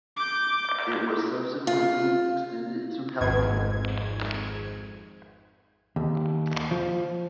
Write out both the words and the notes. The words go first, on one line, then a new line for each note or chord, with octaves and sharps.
It was subsequently extended to Haldia.
D6 G6
F4
G#1 F2 G#2 G#6
D#2
F3